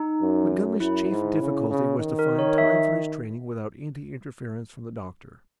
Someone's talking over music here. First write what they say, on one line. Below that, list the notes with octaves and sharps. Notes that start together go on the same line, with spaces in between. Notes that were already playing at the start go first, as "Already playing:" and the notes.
Montgomery's chief difficulty was to find time for his training without any interference from the doctor.
Already playing: D#4
F#2
F#2 E4
G#2
C#3
C#3
D#3
A#4
C#5
E5